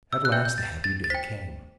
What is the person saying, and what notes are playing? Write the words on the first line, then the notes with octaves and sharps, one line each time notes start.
At last the happy day came.
E6
F#6
B4 E5 G5 G6
G6
A6
A6
A6
C5 G5 B6